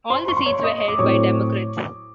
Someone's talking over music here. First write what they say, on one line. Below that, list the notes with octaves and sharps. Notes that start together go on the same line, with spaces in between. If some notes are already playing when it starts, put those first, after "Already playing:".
All the seats were held by Democrats.
C5 C6
C#6
C6
C#5 C#6
D#5 D#6
D6
A2 F#3 A3 C4 C#5 C#6